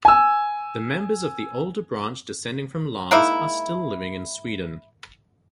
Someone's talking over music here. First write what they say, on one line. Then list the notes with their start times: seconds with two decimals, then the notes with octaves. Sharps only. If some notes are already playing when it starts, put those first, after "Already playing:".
The members of the older branch descending from Lars are still living in Sweden.
0.05 G#5 E6
3.11 G#3 A#3 D#4 E4